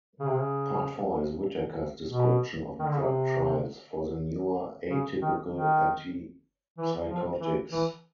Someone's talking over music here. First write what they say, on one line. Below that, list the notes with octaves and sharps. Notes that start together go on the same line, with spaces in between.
Part Four is Whitaker's description of drug trials for the newer atypical antipsychotics.
C#3
C3
C#3
B2
D#3
D3
C#3
C3
C#3
D#3
D#3
E3
F3
E3
E3